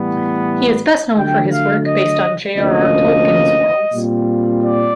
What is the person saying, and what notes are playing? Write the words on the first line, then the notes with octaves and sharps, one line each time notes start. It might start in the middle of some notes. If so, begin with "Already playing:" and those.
He is best known for his work based on J. R. R. Tolkien's worlds.
Already playing: A2 E3 G3 B3
D3 F#3 A3 G5
F5
D#5
D2 C3 F3 A#3 C#4 D#5
A#2 G3 C4 F4
D5